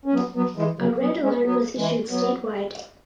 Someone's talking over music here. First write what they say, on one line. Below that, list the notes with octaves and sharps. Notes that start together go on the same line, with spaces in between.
A red alert was issued statewide.
C#4
F#3 B3
F#3 B3
E3 G#3
C#3 F#3
F#3 B3
G#3 C#4
F#3 B3
E3 G#3
F#3 B3